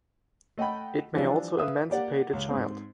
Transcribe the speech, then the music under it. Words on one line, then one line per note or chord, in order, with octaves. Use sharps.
It may also emancipate a child.
A3 D#5 F#5 G5 B5
E3 F3 G3 D4
B4 E5 F5 D#6
A#3 G4 D5 F#5
C#2
G#2 C4